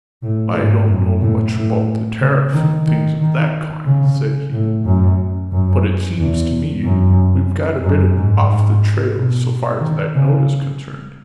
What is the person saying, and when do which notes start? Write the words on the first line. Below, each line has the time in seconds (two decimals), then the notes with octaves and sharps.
"I don't know much about the tariff and things of that kind," said he, "but it seems to me we've got a bit off the trail so far as that note is concerned."
0.23 A2
0.55 G#2
0.89 F#2
1.21 A2
1.55 A2
2.21 C#3
2.54 D#3
2.86 D#3
3.21 D#3
3.86 C#3
4.53 A2
4.85 F#2
5.52 F#2
6.18 E2
6.84 F#2
7.83 F#2
8.17 G#2
8.49 G#2
9.16 B2
9.81 D#3
10.14 C#3